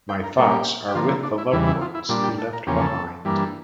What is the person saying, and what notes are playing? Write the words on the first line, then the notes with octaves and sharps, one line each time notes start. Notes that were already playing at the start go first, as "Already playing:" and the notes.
My thoughts are with the loved ones he left behind.
G5
A#4
A#2 G3 A#3 C#4 A4
G4
G4
D3 F3 A#3 F4
E4
D4
E4
E2 C#3 E3 G3 E4
E4
F4
E4
A#2 G3 D4 F4
G4
A4
A#4
E2 C#3 F3 A#3 C#4 G4
A4
G2 E3 G3 A#3 D4